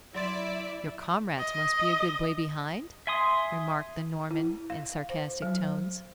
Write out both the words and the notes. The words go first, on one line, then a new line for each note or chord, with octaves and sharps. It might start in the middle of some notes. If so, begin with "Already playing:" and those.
"Your comrades must be a good way behind?" remarked the Norman in sarcastic tones.
F#3 E4 D5 E5 C6 A6
D#5
E5 G#5 C6 D#6
E4
F5
C5
F#3